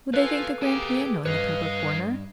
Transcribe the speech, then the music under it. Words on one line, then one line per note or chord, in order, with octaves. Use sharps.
Would they think the grand piano in the proper corner?
F3 A4 B4 F5 G#5
A#3 G4 G#4 G#5
G2 B4 C#5 D#5 F5